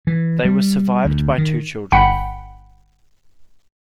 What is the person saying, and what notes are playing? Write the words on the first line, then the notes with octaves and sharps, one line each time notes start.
They were survived by two children.
E3
G3
D2
D#3
G1 F#5 G5 B5 C#7